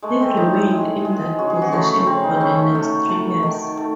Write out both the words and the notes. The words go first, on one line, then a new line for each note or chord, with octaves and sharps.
He remained in that position for the next three years.
G#3 A3
C4
A2 D#4
E4
G#3
G#3
C#3 F#4
G#4
F#4
C#3 A3
C#3 C4
D#4
C#3 C#4
A3
C3 A3
A3
D#3
A3